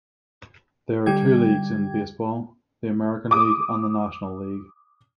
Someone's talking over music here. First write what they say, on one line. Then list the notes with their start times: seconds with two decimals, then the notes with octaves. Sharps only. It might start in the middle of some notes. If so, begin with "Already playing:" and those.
There are two leagues in baseball, the American league, and the National League.
1.06 D3 G3 G5 G#6
3.31 D6 D#6